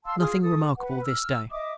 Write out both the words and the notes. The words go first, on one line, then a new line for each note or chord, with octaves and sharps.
Nothing remarkable this day.
F5 A5 C6 E6
F4 G#4 D#6 F6
A4 D#6
B4 F#5
E6 F6
D#5 E5 D6 D#6